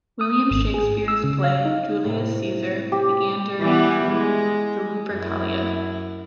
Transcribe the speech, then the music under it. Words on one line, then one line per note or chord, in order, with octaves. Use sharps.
William Shakespeare's play "Julius Caesar" begins during the Lupercalia.
D#6
G#1
G#4
E6
C#3
F5
D#4
A2 C3
G4
E3 G3 B3
G#3
F#2 E4